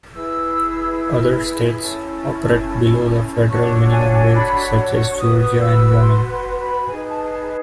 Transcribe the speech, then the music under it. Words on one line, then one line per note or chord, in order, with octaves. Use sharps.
Other states operate below the federal minimum wage such as Georgia and Wyoming.
E4 G#4 B4 E6
C#4 E4 A4
D4 F#4 A4 C#5 C#6
C#6
G#5
G#5
B5
B5
C#6
F#4 B4 D#6
D#6
D#6
E6
E6
C6
C6
B5
D#4 G#4 B4 G#5
A5
A5